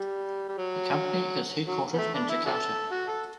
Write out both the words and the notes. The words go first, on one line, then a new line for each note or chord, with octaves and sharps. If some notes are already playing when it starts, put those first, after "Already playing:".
The company is headquartered in Jakarta.
Already playing: G3
G3
F#3
F#3
B3
A3
D4
E4
D4 F#4 A4
F#4
A4